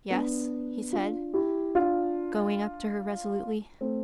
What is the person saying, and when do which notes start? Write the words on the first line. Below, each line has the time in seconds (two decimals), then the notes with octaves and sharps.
"Yes," he said, going up to her resolutely.
0.10 B3 D4
0.93 D4 F4
1.34 E4 G4
1.75 D4 F4
3.81 A3 C4